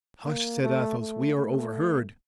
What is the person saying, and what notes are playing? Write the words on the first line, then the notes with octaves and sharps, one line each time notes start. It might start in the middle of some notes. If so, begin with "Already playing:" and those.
"Hush!" said Athos, "we are overheard."
A#3
A3
A3
A3